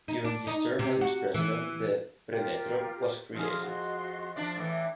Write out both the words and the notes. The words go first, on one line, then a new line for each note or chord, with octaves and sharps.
During his term as its president the "Premetro" was created.
D#4
D4
D#4
C3
F#4
E3
F4 G4 A#4
F2 G#4 C6 D#6 F6
F#4 D#5 C6
F3 D4 D5
A2 E3 D6